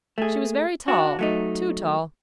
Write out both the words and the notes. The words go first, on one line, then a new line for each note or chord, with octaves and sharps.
She was very tall--too tall.
A3 G#4
D4 F#4
F#3 A3 D#4